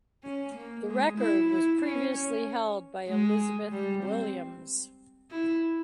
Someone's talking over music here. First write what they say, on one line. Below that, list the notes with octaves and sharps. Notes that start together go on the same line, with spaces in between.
The record was previously held by Elizabeth Williams.
C#4
A#3
G#3
E4
E4
C#4
C#4
G#3
G3
C4
E4